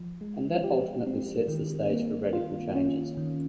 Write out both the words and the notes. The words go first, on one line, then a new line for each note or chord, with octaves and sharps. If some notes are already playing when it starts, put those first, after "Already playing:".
And that ultimately sets the stage for radical changes.
Already playing: F3
G#3
G4
C4
D#3
A#3
F4
C#4
D#3